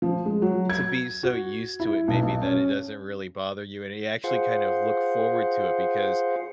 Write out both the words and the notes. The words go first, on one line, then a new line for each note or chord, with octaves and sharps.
to be so used to it maybe that it doesn't really bother you, and ya actually kind of look forward to it, because,
F3
G#3
F#3
G#6
F#4
E4
B1
B1
C#4
F4 G#4 C5 F5 F#5